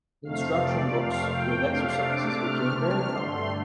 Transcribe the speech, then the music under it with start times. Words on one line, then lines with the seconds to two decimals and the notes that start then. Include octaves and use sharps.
Instruction books with exercises became very common.
0.25 F2 C3 A3 F5
0.61 D5
0.98 F5
1.33 G5
1.69 C3 A3 D4 F5
2.05 D6
2.41 F6
2.77 F6
3.12 G2 D3 A3 C6